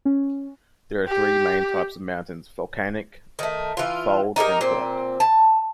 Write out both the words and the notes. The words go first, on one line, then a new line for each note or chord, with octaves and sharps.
There are three main types of mountains: volcanic, fold, and block.
C#4
G4
D#3 A3
E3 F4
D#4 G4 A4 A#4
A#2 C4
A5